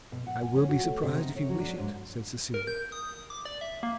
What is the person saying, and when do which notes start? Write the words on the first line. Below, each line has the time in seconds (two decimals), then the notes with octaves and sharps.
"I will be surprised if you wish it," said Cecilia.
0.12 B2
0.27 F#5
0.42 G#5
0.55 C#4
0.69 F#4
0.83 A3
1.03 C3
1.18 D#4
1.35 C#5
1.49 F#3
1.60 D4
1.78 G#2
2.54 A#4
2.67 G6
2.92 D#6
3.30 D6
3.45 D5
3.61 E5
3.83 A#3